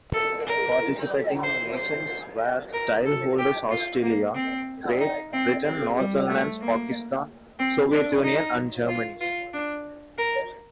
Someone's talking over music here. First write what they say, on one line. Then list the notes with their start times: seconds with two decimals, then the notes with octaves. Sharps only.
Participating nations were: titleholders Australia, Great Britain, Netherlands, Pakistan, Soviet Union and Germany.
0.14 A4
0.47 A#4
1.44 C5
1.76 C5
2.73 A#4
3.06 A4
3.38 G4
3.70 F4
4.03 A#3
4.35 C4
5.00 D#4
5.33 C4
5.65 C4
5.98 G3
6.30 A3
6.62 A#3
7.59 C4
7.91 D4
8.23 D#4
8.89 F4
9.21 F4
9.53 D4
10.18 A#4